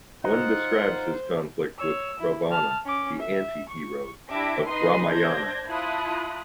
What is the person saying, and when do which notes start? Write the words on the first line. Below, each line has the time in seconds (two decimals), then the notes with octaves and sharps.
One describes his conflict with Ravana, the anti-hero of Ramayana.
0.24 D#4 F4 C5 F#5
1.78 C#5 E6
2.19 E4
2.50 A5 F6
2.86 C#4 D6
3.19 E5
3.69 C#6
4.32 D4 E4 G4 E5 D6 A#6
4.69 D#4 B4 D#5 C6 D#6 C7
5.10 D4 C5 G6 G#6 A#6
5.68 E4 F4 A5 B5 D#6 F#6